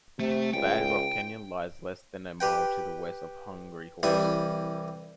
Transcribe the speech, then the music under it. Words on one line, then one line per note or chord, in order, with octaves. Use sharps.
Bad Rock Canyon lies less than a mile to the west of Hungry Horse.
C3 A3
C#2 G5
G4 B4 G5
C2 E3 G3 E5 D#6